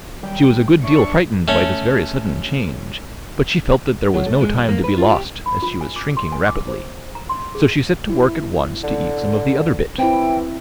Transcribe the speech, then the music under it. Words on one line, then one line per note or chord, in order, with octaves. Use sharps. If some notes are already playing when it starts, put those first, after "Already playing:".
She was a good deal frightened by this very sudden change, but she felt that there was no time to be lost, as she was shrinking rapidly; so she set to work at once to eat some of the other bit.
D#3 F#3 G3 G4 G5
C#2 D4 C#5 E5 C#6
A3 C#4
F#3
A3
G#3
G3
A#3
B4
F4
G4
B5
F4
G#5
D6
C6
G#5
D6
C5
A#5
C6
G#4
E4
D3
E3 C4 E4 G5